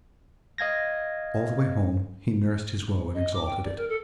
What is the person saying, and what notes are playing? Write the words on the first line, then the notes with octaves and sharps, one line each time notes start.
All the way home he nursed his woe and exalted it.
D#5 F5 G#6 A#6
D#5
D6
G5
D5
A#4
A4